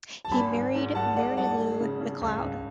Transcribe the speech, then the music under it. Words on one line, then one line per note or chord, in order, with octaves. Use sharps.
He married Mary Lou MacLeod.
A5
G#1 G#5 B5
G#1
G#2
G#1 F#5 A5
G#3 D5 F#5
G#1 F#5 A5
G#3
C#3
C#3
C#2
C#2